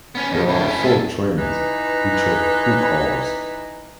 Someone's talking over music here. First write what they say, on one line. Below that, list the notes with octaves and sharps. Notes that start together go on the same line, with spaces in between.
There are four trains, each of two cars.
B3 C#4
F2
D2 A2
C#4 E4
G#3 A4
E3 D#4 B4